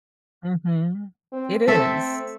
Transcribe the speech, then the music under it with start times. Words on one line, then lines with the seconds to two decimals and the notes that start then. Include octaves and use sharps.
Mhm, it is.
1.32 C4
1.67 A3 C4 A4 E5